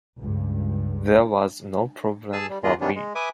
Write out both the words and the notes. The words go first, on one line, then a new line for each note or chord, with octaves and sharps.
There was no problem for me.
C#2 G2
G#4 G#5 A5 E6
G3
D#2 A#3 B3 F4 G#4 D#5
C3 D#3 G3 B3 C#4 D4
G#3
B4 E5 G#5 D6 D#6